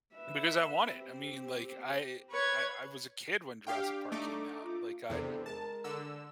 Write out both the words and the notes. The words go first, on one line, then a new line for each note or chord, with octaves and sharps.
Because I want it, I mean, like, I I I was a kid when Jurassic Park came out, like I
B4 E5
C4 G4
B4 C#5 G#6
D4 G4 F5 G5
A3 D#4 D6
F4
E2 C3 D4 A4 C5
G#3 G#4 A#4 A5
D3 E6